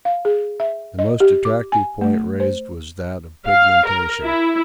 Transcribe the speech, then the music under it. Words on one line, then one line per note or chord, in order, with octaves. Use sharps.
The most attractive point raised was that of pigmentation.
F5
G#4
E5
D#5
G4
D6
G#5
A3
C5
F5
A#4
E4